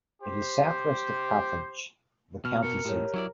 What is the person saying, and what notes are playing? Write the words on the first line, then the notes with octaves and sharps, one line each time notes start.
It is southwest of Carthage, the county seat.
G4 C5
B2 F6
A#4 C#7
A2 G4 C#5
F#3 E4 D5